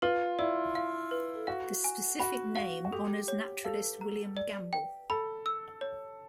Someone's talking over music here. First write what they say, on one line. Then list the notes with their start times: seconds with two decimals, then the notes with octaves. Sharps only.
The specific name honors naturalist William Gambel.
0.02 F4 B4
0.39 E4 D5
0.75 F5
1.11 B4
1.47 F#4 F5
1.84 G#5
2.20 F#4 B5
2.56 F#4 F5
2.85 F#4
2.92 G4 A4
3.28 C#5
3.65 A4 F5
4.01 A#5
4.37 D5
4.73 G5
5.10 A4 B5
5.46 E6
5.81 C#5